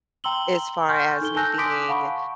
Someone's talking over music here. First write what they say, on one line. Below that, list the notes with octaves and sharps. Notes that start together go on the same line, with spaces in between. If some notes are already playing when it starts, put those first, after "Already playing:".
as far as me being,
G5 A#5 C6 E6 F#7 G7
G#5 C6 C#6 F6 G6
D#4 A4 G7
G#5 A5 E6 F#6 G6 A#6
C6 D6 D#6 B6 D7
F5 F#5 A5 B5 C#6